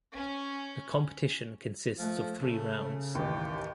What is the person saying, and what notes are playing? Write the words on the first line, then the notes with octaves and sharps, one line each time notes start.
The competition consists of three rounds.
C#4
F3 A3
C#3 A3
A1 D#2 G4